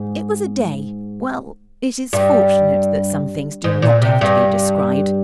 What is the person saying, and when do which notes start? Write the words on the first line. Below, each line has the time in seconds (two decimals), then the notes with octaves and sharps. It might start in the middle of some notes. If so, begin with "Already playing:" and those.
It was a day--well, it is fortunate that some things do not have to be described.
Already playing: G#2
2.13 G2
3.64 G#2
3.82 A#2
4.02 C3
4.21 G2